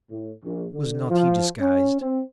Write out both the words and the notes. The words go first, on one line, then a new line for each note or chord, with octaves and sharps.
Was not he disguised?
A2
A#1
D3
F3
C#4
C4